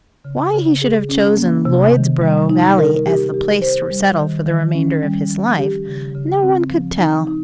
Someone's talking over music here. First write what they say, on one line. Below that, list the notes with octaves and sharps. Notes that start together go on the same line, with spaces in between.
Why he should have chosen Lloydsborough Valley as the place to settle for the remainder of his life, no one could tell.
C#3
C#3
G#4
C#4
A#3
C3
D#3
G3
D#4
A#4
G4
G4
C5
G3
D#3
D#3
C#4
G3
F3
G4
C#3
C#3
C4
F3
D#4
D#4